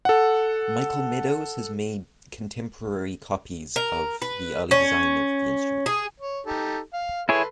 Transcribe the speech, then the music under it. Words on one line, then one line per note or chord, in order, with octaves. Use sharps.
Michael Meadows has made contemporary copies of the early design of the instrument.
A4 F#5
A#4
B4
C#4
G#4
C#5
D#4 G4 A4
F5
E4 G#4 A4 B4 C#5 C6